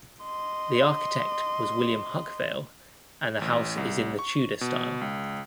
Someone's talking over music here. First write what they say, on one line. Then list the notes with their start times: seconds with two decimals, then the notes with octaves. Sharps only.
The architect was William Huckvale and the house is in the Tudor style.
0.23 D#5 C6
3.42 A1
3.78 C2
4.19 C#6
4.61 B2
5.01 C#2